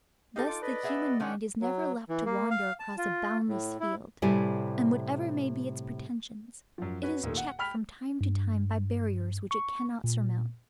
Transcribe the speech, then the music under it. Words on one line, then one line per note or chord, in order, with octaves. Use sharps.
Thus the human mind is never left to wander across a boundless field; and, whatever may be its pretensions, it is checked from time to time by barriers which it cannot surmount.
D#4 G4 A4 D#5 F5
F4 D6
B4 D5 D#5
B3 G#4 E5
D#3 C#4 D4 F#5
F#3
E3
A#3
F5
A5
F4
A2
E4
A2 C3 G3 E4 A4 G#5
F#2 F3
C#4 F#4 B4
D#2 A#2 A3
F#5
G5 B5 F6 B6 F7
G2
C#6
A#2